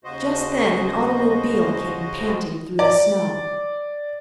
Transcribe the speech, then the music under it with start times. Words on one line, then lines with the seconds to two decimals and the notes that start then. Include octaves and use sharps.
Just then an automobile came panting through the snow.
0.04 D#2 C#3 F#4 C5 D#5
2.79 D5